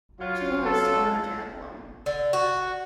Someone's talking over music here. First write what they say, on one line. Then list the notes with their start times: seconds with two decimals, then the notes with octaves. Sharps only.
Chislehurst are known to have won.
0.21 F#3 F4
0.65 A4
2.06 D3
2.33 F#4